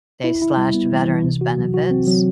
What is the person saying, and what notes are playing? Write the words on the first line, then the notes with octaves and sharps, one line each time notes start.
they slashed veterans benefits.
E4
E4
G3
B3
E3
E3
C3
F#4
F#3
F#4
C4
F#3